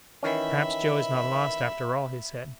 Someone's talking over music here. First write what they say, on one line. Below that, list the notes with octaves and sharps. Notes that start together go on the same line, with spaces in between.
"Perhaps Joe is not lost after all," he said.
D#3 E3 C#4 E5 B5